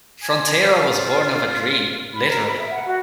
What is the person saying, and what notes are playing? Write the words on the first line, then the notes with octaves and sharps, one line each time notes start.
Fronteira was born of a dream, literally.
G#5
F4
B5
A#4
B5
E5
F#5
F#4